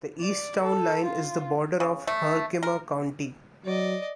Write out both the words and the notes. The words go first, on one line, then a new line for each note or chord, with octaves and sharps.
The east town line is the border of Herkimer County.
D5
A4
F4
C#3
A3
A#4
F#3 D5 D#5